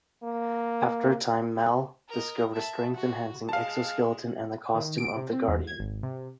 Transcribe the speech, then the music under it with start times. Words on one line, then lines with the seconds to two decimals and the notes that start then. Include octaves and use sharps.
After a time, Mal discovers a strength-enhancing exoskeleton and the costume of the Guardian.
0.23 A#3
2.09 A#4 D#5
2.54 E5 A5
2.95 F#4
3.49 G#3 F5 A5
4.75 D#3
4.98 D7
5.16 C3
5.33 C4
5.48 E2
5.67 G#6
5.80 G#1
6.03 C3